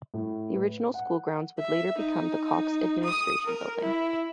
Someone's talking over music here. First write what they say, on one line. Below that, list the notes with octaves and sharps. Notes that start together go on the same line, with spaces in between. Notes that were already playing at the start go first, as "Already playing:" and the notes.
The original school grounds would later become the Cox Administration Building.
A2
B4
F#5
E5
D#4
D#6
A#4
E4